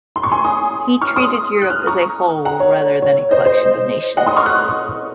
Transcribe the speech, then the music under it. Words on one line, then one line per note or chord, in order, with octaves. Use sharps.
He treated Europe as a whole, rather than a collection of nations.
C6
C#6
G#5 C6
C6 D#6
C#6 F6
C6 D#6
F#6
F6
D#6
A#5 C#6
F#5 A#5
C#5
C#5
C5 D#5
C5 D#5
D#5 F#5
C6 D#6
C#6 F6
D#6 F#6